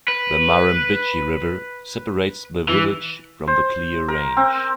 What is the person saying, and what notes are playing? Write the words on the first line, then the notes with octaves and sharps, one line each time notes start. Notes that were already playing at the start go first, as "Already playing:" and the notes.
The Murrumbidgee River separates the village from the Clear Range.
B4
E3
C5
A#4
C4